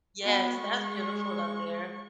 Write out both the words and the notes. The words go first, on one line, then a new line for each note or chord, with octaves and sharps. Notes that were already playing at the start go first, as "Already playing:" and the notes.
Yes, that's beautiful down there.
B3 F#4
G#3 C#6